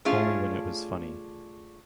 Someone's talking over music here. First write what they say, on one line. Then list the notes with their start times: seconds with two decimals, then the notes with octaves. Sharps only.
Only when it was "funny"!
0.05 A3 C#4 D4 F4 G#4